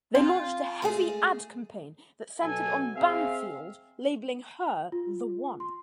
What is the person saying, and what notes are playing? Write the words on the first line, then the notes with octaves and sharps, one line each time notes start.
They launched a heavy ad campaign that centered on Banfield, labeling her, The One.
C4 F4
G#3 A3 G#4
B2 F#3 A4 G#5
C4 G#4 E5 F5
F4
C6